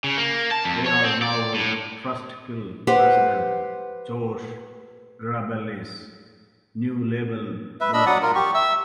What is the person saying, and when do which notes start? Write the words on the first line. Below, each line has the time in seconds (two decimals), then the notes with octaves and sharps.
They are now with Trustkill president Josh Grabelle's new label Bullet Tooth.
0.04 C#3
0.17 A#3
0.51 A5
0.65 F2
0.86 C#5
1.04 C4
1.22 D5
1.54 A2
2.87 G4 B4 C5 F#5
7.81 B4 E5
7.93 D4 D#5 B5 E6
8.06 F#3 D5 F#5 D#6
8.22 F4 A#4
8.35 G4 C#6
8.54 E5 E6